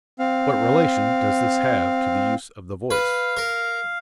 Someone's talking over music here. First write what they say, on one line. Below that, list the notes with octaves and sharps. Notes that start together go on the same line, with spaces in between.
What relation does this have to the use of the voice?
C4 F5
B4 F5
A#4